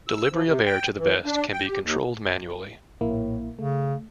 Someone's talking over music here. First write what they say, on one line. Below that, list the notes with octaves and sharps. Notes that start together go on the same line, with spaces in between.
Delivery of air to the vest can be controlled manually.
E6
F3
C3
G5
E3
D4
G5
G4
D#2
A#1 A2 A#3 E4
C#3 A3